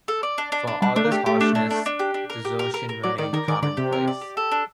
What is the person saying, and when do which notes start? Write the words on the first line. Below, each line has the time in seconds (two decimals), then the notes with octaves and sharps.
For all this harshness, desertion remained commonplace.
0.08 A4
0.23 D5
0.38 D4
0.52 D4
0.67 D4
0.82 G3 D4
0.96 A3 D4
1.04 A#3
1.11 A3 G4
1.26 A3 G4
1.41 D4
1.55 D4
1.71 D4
1.86 D4
1.99 G4
2.14 D4
2.30 A#4
2.45 G4
2.59 A#4
2.74 A#4
2.89 A#4
3.03 F#3 D5
3.18 D#3 D5
3.33 D#3 A#4
3.48 D#3 D5
3.62 D3 D5
3.77 C3 G4
3.92 A#4
4.07 D5
4.21 G4
4.37 A4
4.52 D4